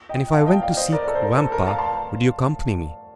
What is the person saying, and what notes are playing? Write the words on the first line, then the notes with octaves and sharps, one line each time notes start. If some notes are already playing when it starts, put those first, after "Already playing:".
"And if I went to seek Vampa, would you accompany me?"
D#5 G5
F5 A5
D#5 G5
D5 F5
C5 D#5
A#4 D5
A4
C5
A#4
A4
A#4
F5 A5
A5 C6